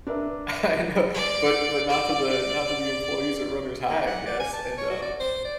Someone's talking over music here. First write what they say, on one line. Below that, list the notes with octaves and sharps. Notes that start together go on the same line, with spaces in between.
I know, but but not to the not to the employees at Runners High, I guess, and um,
D4 A#4 B4 E5
D5
D5
A#3
F#5
D5
G#5
A5
C#5
F#4
D5
C5
D5